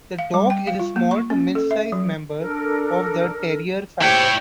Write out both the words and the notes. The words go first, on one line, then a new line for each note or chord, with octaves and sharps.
The dog is a small to mid-size member of the Terrier family.
F5
G3
G5
F5
F4
A#3
C#6
C#4
A4
E5
F#3
D4 A4 A#4
E4 G4 C5 C#5 G5